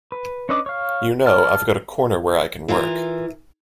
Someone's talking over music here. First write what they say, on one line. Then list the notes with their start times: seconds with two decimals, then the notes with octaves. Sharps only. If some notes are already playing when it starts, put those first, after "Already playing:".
You know, I’ve got a corner where I can work.
0.12 B4
0.49 C#4 D4 B4 D#5 D6
0.66 C#5 F5
1.26 A5 F6
2.68 E3 F4 A#4